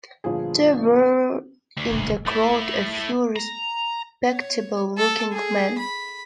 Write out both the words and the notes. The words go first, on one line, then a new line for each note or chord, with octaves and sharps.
There were in the crowd a few respectable-looking men.
G1 A#2 F3 G#4
D2
A3 E4
A#5
C#5
A4
G#4
B5